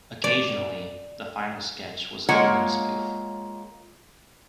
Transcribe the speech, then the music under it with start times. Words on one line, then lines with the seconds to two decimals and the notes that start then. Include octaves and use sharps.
Occasionally, the final sketch was a film spoof.
0.24 D5
2.29 G#3 A#3 F4 C#5 F#5